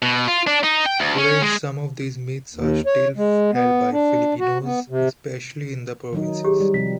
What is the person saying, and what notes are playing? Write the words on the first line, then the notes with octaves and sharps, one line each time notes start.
Today, some of these myths are still held by Filipinos, especially in the provinces.
B2
F4
D4
D#4
G5
D2
C#4
G#3
D#2
C#5
G#3
B3
D4
F#4
B3
C3
D#3 F#3 D#4
G4 G#4
G3
C3 F3 G3 B6